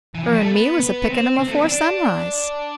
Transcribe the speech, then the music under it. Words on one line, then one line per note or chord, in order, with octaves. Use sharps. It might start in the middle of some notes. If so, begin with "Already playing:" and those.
"Her and me was a picking 'em afore sunrise."
E3
F3
G3
A3
B3
B3
C4
C4
A3
B3
C4
D4